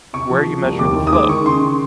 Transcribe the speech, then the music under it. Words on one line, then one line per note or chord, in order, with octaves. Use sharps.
Where you measure the flow.
C3 C#6
F3
F3
C2
D#2 D6
D#3
D#6
G#3 D6
D#3 C#6
C#3 C6
C#3